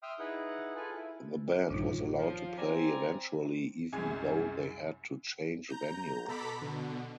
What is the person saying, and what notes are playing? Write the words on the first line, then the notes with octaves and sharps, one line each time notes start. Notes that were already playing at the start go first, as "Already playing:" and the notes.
The band was allowed to play eventually even though they had to change venue.
E5 G5 C6 D#6 F6
D#4 E4 G#4 B4 F#5
F4 G#4 A4 B4 G#5
E4
A#1 G2 D3 D#3 D#4 F4
F3 C#5
C4 D5 G#5 A#5
C2 F#2 G#3 G#5 G#6
A#5 G6
B2 A4 A#5 B5 D6 B6
B2 D3